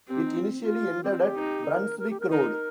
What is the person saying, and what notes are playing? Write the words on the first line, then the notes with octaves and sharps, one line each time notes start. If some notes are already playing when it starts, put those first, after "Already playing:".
It initially ended at Brunswick Road.
C4 G4
D#4
F4
C4
F4
C4 G4
F4
G4
D#4
A#4
A#4
G4
A#4
D#4 A#4